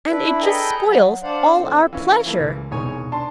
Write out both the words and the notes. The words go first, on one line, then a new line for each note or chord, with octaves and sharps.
"And it just spoils all our pleasure."
D4 E4 B4
G#4 A4 B4 D#5 G5 A#5
F#3
D4 C5 D5 F5 F#5
F2 A2 C4
E3 C#4 F5
E3 A3 A#3
C#2
E1 C2 D#4 C#5 G#5
D4 A5 C6